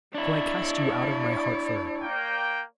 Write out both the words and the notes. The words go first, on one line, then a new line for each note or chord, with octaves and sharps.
So I cast you out of my heart for ever.
D4 E4 C#5 D5
A#3 G5